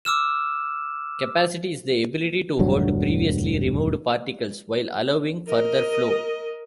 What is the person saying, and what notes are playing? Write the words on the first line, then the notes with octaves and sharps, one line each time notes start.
"Capacity" is the ability to "hold" previously removed particles, while allowing further flow.
D6 E6 F6 E7
E1 D2 G2 F#3
A#4 D#5